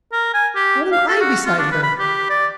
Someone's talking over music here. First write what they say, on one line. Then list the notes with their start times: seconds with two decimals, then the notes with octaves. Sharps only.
What am I beside her?
0.12 A#4
0.34 G#5
0.56 G4
0.92 F5
1.08 A4
1.21 F#4
1.45 F4
1.58 D4
1.71 B4
1.83 B5
1.99 G4
2.30 D5